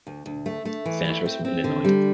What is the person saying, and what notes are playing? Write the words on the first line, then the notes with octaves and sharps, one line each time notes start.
Senators from Illinois.
D2
D2
A3
A3
E3
A3
C4
C4
D3
G3